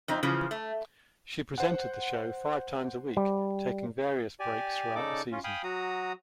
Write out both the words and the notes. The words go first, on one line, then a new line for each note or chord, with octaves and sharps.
She presented the show five times a week taking various breaks throughout the season.
F2 C4 D#4
C#3 E3 F3
A3
C5 F#5
G3
G4 D5 G#5
C#3 D#4 A4 D5 D6
C#4 F4
F5 G5 G#5 B5 D#6
F#3 F#4 A#5 D#6